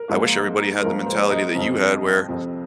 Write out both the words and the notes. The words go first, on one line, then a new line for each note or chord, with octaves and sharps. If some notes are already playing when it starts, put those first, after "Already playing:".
I wish everybody had the mentality that you had, where
Already playing: A#4
G#2 F3 A#3
G#2 F3 A#3 A#4
C5
D#5
F2 C3 F3
F2 C3 F3